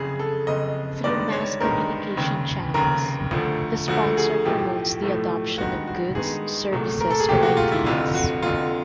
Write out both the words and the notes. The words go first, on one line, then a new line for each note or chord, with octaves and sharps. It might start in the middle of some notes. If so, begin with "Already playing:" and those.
Through mass communication channels, the sponsor promotes the adoption of goods, services or ideas.
Already playing: F#1 F2 C#3 G#4
A4
F#1 F2 C#3 D#5
G1 G2 D#3 G#3 B3 D5
C#5
G1 G2 D#3 G#3 B3 A#4
F1 D#2 C#3
F1 D#2 C#3 A#4
D2 D3 F3 A3
D2 D3 F3 A3 F#4
G#4
B1 A2 F3 A3 G4
B1 A2 F3 A3
G2 D#3 G#3 B3 F#4
F#4
G2 D#3 G#3 B3 G#4
C2 A#2 F#3 A3
A#4
A4
G#4
C2 A#2 F#3 A3 G4
F#4
F4
E4
F1 F2 D3 F4
F#4
F1 F2 D3 F4